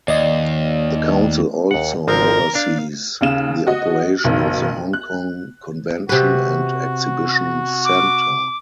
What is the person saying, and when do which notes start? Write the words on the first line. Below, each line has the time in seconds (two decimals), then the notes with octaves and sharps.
The Council also oversees the operation of the Hong Kong Convention and Exhibition Centre.
0.08 D#2 D5 D#5
1.71 D#2 F#5
2.08 G#1 F3 C4 A#4
2.55 D4 F5
3.21 D#2 C#3 E7
3.67 F#4 D#5
4.24 F#1 B1 D#3
4.93 F#6
6.09 C3 F#4 B4
7.85 D6